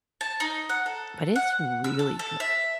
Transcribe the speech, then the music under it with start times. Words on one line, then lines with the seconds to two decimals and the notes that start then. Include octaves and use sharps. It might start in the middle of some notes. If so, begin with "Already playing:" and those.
but it's really
0.21 A5
0.40 D#4
0.69 F#5
0.86 A4
1.36 F#5
1.84 E6
1.99 A5
2.19 A4
2.40 E5